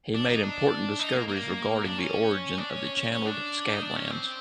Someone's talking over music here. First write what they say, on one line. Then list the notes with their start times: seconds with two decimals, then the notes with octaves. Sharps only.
He made important discoveries regarding the origin of the Channeled Scablands.
0.15 D4
0.29 D#4
0.43 D4
0.99 D#4
1.14 A#3
1.28 A#3
1.85 D4
1.98 C#4
2.58 D4
2.69 C#4
2.97 C#4
3.12 C#4
3.26 D4
3.73 D#4
3.82 D4
3.96 C#4
4.11 C4